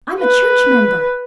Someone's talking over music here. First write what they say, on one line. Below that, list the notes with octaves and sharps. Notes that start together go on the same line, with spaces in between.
I'm a church member.
B4